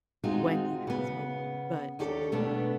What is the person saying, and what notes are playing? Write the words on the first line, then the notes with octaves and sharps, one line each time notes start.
when you have smoked, but
G#3 C4 D#4 F4 F#4 G#4
C#3 B3
D#2 D4 G4 A4 C#5
B2 A3 B3 D4